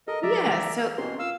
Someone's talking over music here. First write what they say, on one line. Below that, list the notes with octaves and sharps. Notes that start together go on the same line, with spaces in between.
yeah, so
A4 A#4 D#5
F3 G#3 D5 E5 A#5
E3 E6
B2 E3 C4 C#4 A#4 C6
F4 F5 E6